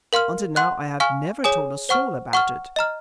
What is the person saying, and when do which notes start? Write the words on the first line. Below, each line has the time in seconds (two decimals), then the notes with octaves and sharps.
Until now I have never told a soul about it.
0.13 A#4 F5 C6 F6
0.56 F#5 C6 F#6
1.00 F5 G#5 C#6 F6
1.44 G#4 C#5 G#5 D#6
1.89 C5 F#5 C#6 F6
2.33 F#5 C#6 F6
2.76 D#5 A#5 F6